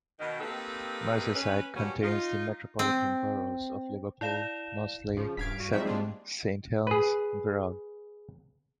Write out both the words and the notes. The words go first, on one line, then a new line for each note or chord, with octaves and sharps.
Merseyside contains the metropolitan boroughs of Liverpool, Knowsley, Sefton, Saint Helens and Wirral.
B2 D#3
A#3 C4 D#4 G4 A4 B4
C#4 B4
G2 G3 A#3 C#4 F#4
D#4 F4
C4
E4 D5 F5 E7
C#3 F3
D#1 G2 F5 G#6 B6 D7
F#4
F3 G3 G#3 C4 D#4 F#4 E5
A#3 D4 F4 G#4
G#4 B4